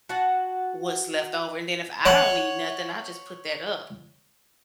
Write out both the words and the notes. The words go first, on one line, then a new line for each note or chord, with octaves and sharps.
what's left over, and then if I don't need nothing, I just put that up,
F#4 F#5 A5
C#5 F#5